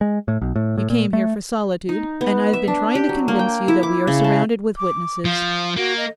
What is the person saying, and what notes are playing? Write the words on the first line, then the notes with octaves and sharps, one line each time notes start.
You came here for solitude, and I have been trying to convince you that we are surrounded with witnesses.
G#3
A2
B1
A2
A2
A#2
A3
D#4
B3
E5
D4
G4
F#3
A#3
G5
E4
D6
C#3
A5
D6
F3 F5
A#3 F#4
D#5